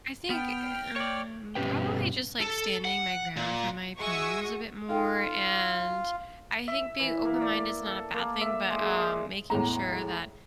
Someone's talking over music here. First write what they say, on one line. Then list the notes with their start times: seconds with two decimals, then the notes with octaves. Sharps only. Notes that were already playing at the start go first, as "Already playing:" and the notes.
I think, um, probably just, like, standing my ground for my opinions a bit more, and I think being open-minded is not a bad thing, but, um, making sure that
0.30 B3 G5 F6
0.96 C#5 D5
1.55 G2 B2 C#4 G4 B4 G5
2.41 A4
2.85 F#5
3.37 A#2
4.00 G#3 F#4 E5 G#5 C#6 D#6 E6
4.89 D#4 F4 A4 F5 G5
6.68 E5
6.99 E3
7.25 A#3
7.42 D5
7.86 A4
8.14 A#3
8.41 E5
8.70 G#3
8.90 G#4
9.50 E2 A2 G#3 A#5